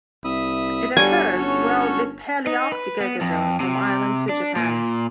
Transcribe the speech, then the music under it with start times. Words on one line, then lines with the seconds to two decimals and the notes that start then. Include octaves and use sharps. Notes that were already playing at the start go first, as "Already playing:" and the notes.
It occurs throughout the Palearctic ecozone from Ireland to Japan.
0.24 C2 E5 B5 D#6
0.97 G1 D3 F3 G3 F#4 A4 C#5 G#5
1.39 C#4
2.47 D#4
2.72 B4
3.01 B3
3.21 F2
3.60 C3
4.29 D4
4.56 A#2